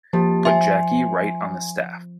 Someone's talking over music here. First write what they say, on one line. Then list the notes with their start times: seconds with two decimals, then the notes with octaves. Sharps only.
Put Jackie right on the staff.
0.13 F3 A#3 G4 A5
0.45 E5 G#5 C6